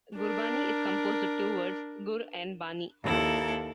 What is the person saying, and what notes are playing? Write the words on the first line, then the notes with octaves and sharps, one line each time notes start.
Gurbani is composed of two words: 'Gur' and 'Bani'.
D4 A#4
D#2 E4 A4